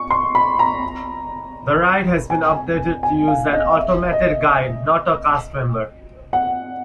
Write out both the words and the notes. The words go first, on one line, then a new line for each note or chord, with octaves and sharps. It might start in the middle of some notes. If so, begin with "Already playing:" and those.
The ride has been updated to use an automated guide, not a cast-member.
Already playing: C#6
C6
B5
A#5
G#5
G#5
G#5
F5
D#5
E5
D#5
F#5